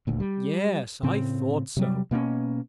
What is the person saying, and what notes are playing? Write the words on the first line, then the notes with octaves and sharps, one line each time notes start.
Yes, I thought so.
D#1 D2 A#2
G3
A2 C#3 C4
C3 F#3 G3
B2 A#3 C4 C#4